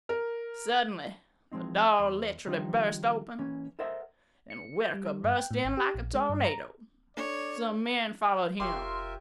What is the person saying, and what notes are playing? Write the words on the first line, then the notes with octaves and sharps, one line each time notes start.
Suddenly the door literally burst open and Whittaker burst in like a tornado; some men followed him.
A#4
F3 G#3 C4 D#4
E2 C6
D#3 F3 G3 D4 D#4
E3 A#3 C#4
A4 A#4 C5 D#5 E5 F#5
C#7
G6
G3
G2
G5
A2
G#1
G4
A#1
G#3
G2
A#5
D4 A4 C#5 D5
F1 F4 G4 A#4 C#5 E5 C6